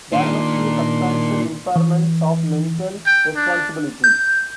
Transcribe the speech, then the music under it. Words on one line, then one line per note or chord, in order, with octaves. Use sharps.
There must be a "substantial" impairment of mental responsibility.
A#2 D#3 D4 C6
E3
G5
D4
G6